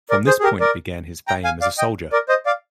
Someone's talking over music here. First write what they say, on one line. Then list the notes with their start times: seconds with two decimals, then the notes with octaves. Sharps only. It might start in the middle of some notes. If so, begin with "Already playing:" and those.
From this point began his fame as a soldier.
0.10 A#4 D5
0.26 G#4 C5
0.40 G#4
0.43 G4 A#4
0.60 A#4 D5
1.28 G5 A#5
1.44 F5 G#5
1.61 D5 F5
1.78 D#5 G5
2.12 A#4 D5
2.29 C5 D#5
2.46 D5 F5